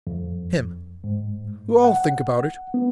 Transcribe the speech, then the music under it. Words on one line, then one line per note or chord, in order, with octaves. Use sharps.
HIM: I'll think about it.
F2
G#2
F#5
B3